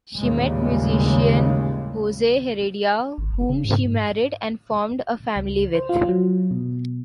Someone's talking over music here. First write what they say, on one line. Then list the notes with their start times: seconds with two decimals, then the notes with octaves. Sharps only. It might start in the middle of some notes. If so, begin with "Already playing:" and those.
She met musician Jose Heredia, whom she married and formed a family with.
0.18 A1 D#2 A#2 C#3 G3 G#3
3.18 G#1
3.31 F#1
3.50 C#3
3.65 G#2
3.85 G#2
5.36 C#2
5.75 C5
5.89 F4
6.09 F#3
6.51 B2